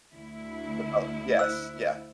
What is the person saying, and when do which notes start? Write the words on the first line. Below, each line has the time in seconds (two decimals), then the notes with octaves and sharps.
put up yes, yeah,
0.13 D2 E4
1.39 C5 E6